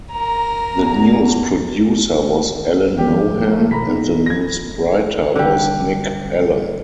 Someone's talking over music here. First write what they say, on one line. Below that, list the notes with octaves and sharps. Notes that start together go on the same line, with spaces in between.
The news producer was Alan Mohan, and the news writer was Nick Allen.
A#4 A#5
E2
D#3 F3 G#3 G4 G5
A3 A#3
B2 A#5 B5 B6
B3 D#4
G#6 A#6
D3 G3